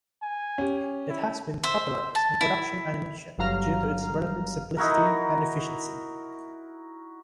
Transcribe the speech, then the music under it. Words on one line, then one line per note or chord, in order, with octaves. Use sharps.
It has been popularized in production animation due to its relative simplicity and efficiency.
G#5
C#4 G4
E4
C5 E5
A5
E4
G1 G2 F#3 F5 A#5 F6
D#4 E4 F#4 A#4